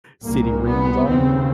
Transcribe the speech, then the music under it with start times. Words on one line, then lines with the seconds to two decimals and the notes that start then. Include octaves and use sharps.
See any rings on him?
0.23 C2 A#2 A#3
0.65 B3
1.06 D#2 C#3 C4